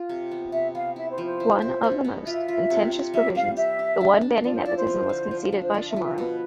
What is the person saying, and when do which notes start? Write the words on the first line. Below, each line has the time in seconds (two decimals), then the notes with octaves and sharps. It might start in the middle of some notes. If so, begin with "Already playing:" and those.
One of the most contentious provisions, the one banning nepotism was conceded by Chamorro.
Already playing: F4
0.09 C3
0.31 B3
0.52 C3 E5
0.75 B3 F5
0.96 E4 E5
1.10 C5
1.18 F3
1.26 C5
1.40 E4
1.62 E4
1.84 B2
2.05 B3
2.26 F4 E5
2.48 F4
2.70 C3
2.92 C3
3.13 G3 E5
3.35 G3 F5
3.57 G4 E5
3.79 G4
4.01 D4
4.22 D4
4.44 F3 D5
4.55 C5
4.66 E4 D5
4.77 C5
4.88 F3
5.09 D3
5.31 F3
5.52 D4
5.63 C5
5.74 F3 D5
5.89 E5
5.96 F3
6.04 E5
6.18 B2 B4